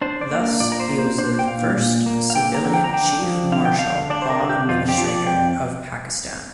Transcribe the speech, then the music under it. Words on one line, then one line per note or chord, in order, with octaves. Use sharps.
Thus, he was the first civilian Chief Martial Law Administrator of Pakistan.
D4 C5
D5
A#3
A#2 D5
A#4
C5
A#3
C5
D4 C5
G5
A#2 F5
A#2
A#3
F5
D3 G5
A#5
D3
G5
A#5
D4 G5
F3
D3 F5
G5
D3 F5
D4 D5
C5
A#4
D3
G4
F2 F4
G4
F3
D5
F2 G5